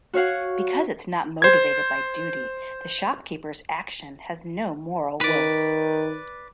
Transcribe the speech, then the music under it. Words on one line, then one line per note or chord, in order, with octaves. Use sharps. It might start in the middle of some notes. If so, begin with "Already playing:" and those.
Because it is not motivated by duty, the shopkeeper's action has no moral worth.
F#4 C#5 F5 F#5
C5 G#6
D#3 B4 D5